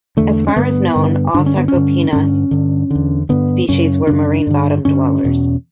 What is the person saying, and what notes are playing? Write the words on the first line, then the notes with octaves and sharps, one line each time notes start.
As far as known, all Phacopina species were marine bottom-dwellers.
E2 D3 A3
C#4
G2 D3 B3
G2 D3
G2 D3 D4
C#4
B3
C#4
G2 D3
G2 D3 C#4
G2 D3
E2 D3
G2 D3 B3
F#2 C#3 C#4
F#2 C#3 D4
G2 D3
G2 D3 C#4
E2 B2